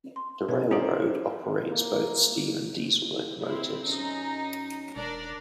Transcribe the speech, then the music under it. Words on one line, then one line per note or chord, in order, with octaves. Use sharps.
The railroad operates both steam and diesel locomotives.
C6
B2 C#4 E4 B4 C#5
C#4 F4 A#4 C5 D5 A#5 D#6
A#3
C4 E4
F#2 C#4 D#4
E1 D4 A#4 D5